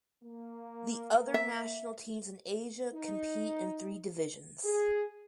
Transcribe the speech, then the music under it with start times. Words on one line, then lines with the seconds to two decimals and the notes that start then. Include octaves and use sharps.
The other national teams in Asia compete in three divisions.
0.22 A#3
1.34 E5
2.94 D#4
4.64 G#4